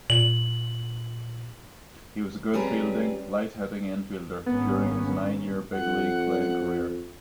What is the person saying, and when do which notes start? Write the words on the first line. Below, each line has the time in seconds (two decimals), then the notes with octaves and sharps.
He was a good-fielding, light-hitting infielder during his nine-year big league playing career.
0.10 A#2 F#7
2.53 F2 G3 C#4 G#4 B4 A#5
4.46 G#1 A#3 B3 C#4
5.73 F2 F#5